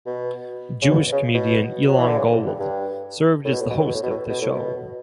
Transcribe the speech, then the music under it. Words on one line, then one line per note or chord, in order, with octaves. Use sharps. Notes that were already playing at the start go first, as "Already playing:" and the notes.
Jewish comedian Elon Gold served as the host of the show.
B2
C#3
B2
C#3
B2
F#3
E3
D3
C#3
A2
G2
G2
A2
B2
A2
B2
A2
B2
A2
B2
A2
B2
A2
B2